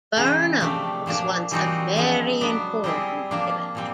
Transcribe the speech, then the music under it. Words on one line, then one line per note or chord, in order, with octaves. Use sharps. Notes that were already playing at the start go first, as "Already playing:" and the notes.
Burnham was once a very important village.
C#3 E3 G#3 C4
C3 F3 A3 D4 G4
A#2 F3 A#3 D4
E3 G3 C4 D#4 F#4
C#3 F3 G#3 C4
F#3 B3 D4
G3 C4 E4 G#4
F3 A#3 D4 F4
A#2 G3 C4